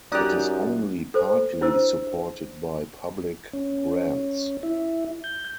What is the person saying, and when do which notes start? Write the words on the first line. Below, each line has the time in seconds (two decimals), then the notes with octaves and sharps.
It is only partly supported by public grants.
0.12 F#2 D#4 G4 D5 D#6 F#6
1.14 A4 C5
1.61 D4 E4 C5 E6
3.53 C#4
4.63 E4
5.24 G6